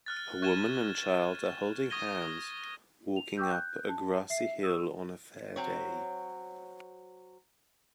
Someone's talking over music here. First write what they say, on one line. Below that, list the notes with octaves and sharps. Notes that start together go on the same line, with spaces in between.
A woman and child are holding hands walking up a grassy hill on a fair day.
F6 F#6 A6
C#6 F#6 G#6 D#7 E7 G7
C#6 D#6 G#6 A#6 D#7 G7
F7
G5 C#6 D6 E6 G6
F#6 G6
A5
E5 C7
C#6 D#6 E6
F#3 C4 C#5